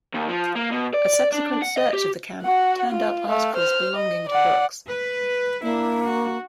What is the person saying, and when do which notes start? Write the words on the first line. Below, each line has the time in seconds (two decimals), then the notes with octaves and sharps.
A subsequent search of the camp turned up articles belonging to Brooks.
0.14 D#2
0.29 F3
0.55 A#3
0.72 B2
0.94 D5
1.32 D4
1.62 F#5
1.78 D#5
1.93 G4
2.42 F#4 F#5
2.91 F4
3.25 A3 F5
3.56 C5 F6
3.95 D#5
4.29 D5 F#5
4.88 B4
5.63 A#3 D4 E4
6.06 F#4